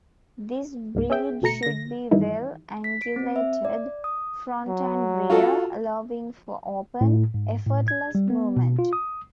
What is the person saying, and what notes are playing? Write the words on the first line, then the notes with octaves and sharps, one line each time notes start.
This breed should be well-angulated front and rear, allowing for open, effortless movement.
C#2 G#2 A#3
C#4 G#4 E5 G5
G1 B2 A3 A#5 C#7
D3 A#6
G2 D#3 E3 G3 D#4 E4
B6
D7
C4
E5
D5
D#6
F#3
F4 F#4 A4
A2
G#2
A2
G#6
G3
B3
B2
F4
D#6